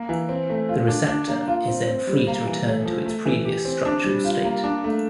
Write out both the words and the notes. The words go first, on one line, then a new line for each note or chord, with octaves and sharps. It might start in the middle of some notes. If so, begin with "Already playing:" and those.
The receptor is then free to return to its previous structural state.
Already playing: A#3
E3
C4
A3
F4
D4
D4
A#3
F4
C4
C4
G3
A#3
E3
A3
F3
A3
E3
G4
C4
D4
G3
F4
A#3
D4
A3